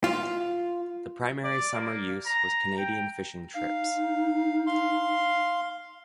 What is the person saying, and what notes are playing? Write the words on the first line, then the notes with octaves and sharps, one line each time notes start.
The primary summer use was Canadian fishing trips.
F4
D5
A#3
A#5
G5
D#4 F5
F5 C6